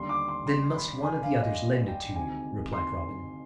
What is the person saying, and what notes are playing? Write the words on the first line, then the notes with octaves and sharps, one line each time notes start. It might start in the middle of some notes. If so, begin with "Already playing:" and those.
"Then must one of the others lend it to you," replied Robin.
Already playing: D#2 D3 G3 B3 D4 C6
D6
C6
C6
B5
G#5
F5
D#5
G5
D2 C3 D#3 G#3 G#5
C6